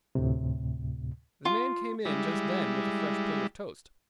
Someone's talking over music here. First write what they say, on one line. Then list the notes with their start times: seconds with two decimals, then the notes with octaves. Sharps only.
The man came in just then with a fresh plate of toast.
0.15 D2 A2 C3
1.45 F4
2.05 G3 G#3 E4